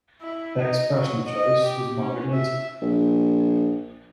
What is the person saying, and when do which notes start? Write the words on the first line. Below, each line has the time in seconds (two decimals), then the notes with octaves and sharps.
Peck's personal choice was Margaret Leighton.
0.21 E4
0.59 D#4
0.93 F#3
1.25 D#5
1.63 G4
1.99 C#4
2.33 E5
2.82 A#1